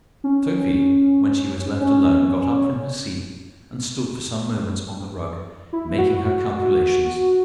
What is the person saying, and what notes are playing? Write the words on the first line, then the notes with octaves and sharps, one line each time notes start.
Sophie, when she was left alone, got up from her seat, and stood for some moments on the rug, making her calculations.
C#4
C#4
E4
F#4
F#4
F#4